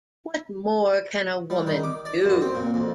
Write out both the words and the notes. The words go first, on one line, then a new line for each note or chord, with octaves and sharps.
What More Can a Woman Do?
G3
D#3
D6
D5
F#2
C4
A#2
F2